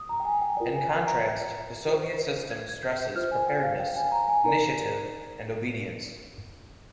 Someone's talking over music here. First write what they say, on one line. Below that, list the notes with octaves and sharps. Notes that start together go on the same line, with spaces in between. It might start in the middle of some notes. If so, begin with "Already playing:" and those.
In contrast the Soviet system stresses preparedness, initiative, and obedience.
Already playing: D#6
A#5
G5
G#5
G5
F4 A#4 D5 G5
G#5
A#5
F4 G#4 C5
G#6
G#6
G6
F4 C5 F6
G#5
G5
F5
G5
G#5
A#5
G#5
D#4 A#4 D5 A#5